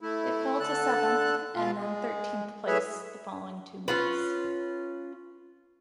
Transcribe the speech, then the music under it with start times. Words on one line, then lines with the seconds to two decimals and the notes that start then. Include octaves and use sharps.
It fell to seventh and then thirteenth place the following two months.
0.01 A3 E4
0.60 D3 A4 F#6
1.55 B2 F4
1.79 G#3
2.67 A2 G#4 B4 C#5 E5
3.88 C#4 F4 B4